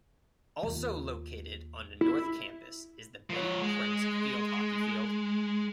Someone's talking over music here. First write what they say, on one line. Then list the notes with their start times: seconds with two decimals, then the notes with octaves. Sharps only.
Also located on the North Campus is the Betty Prince field hockey field.
0.63 D#2 F4
2.01 E4
3.30 F3 C#5
3.62 G#3